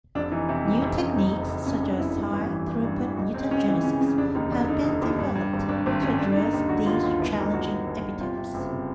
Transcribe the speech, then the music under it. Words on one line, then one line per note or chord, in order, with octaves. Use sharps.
New techniques such as high-throughput mutagenesis have been developed to address these challenging epitopes.
F1 D4
E3 D#4
C3 E4
E3 D#4
F1 C4
F1 C#4
F2 D#4
F#1
F#1
F2 C#4
F#1 D4
F2 E4
G2
A1
E3
A1
G2
E3
C#2 F#4
C#2 C4
C#2 C#4
E3 C4
C#3 C#4
C#3 C#4
F1 D4
D#2 D#4
F1 D4
D3 D#4
F1
D#2
G2
G2
G#1
G#1 D4
G#1 C4
G2 C#4
D3 D4
D4
D3 D#4
D#2
D3 F#4
D#2 F4
D#2 F4
G1 E4
D3 D#4
G1 F#4
G1
G1
G1
C3 F4
C3
F4
F#1
C3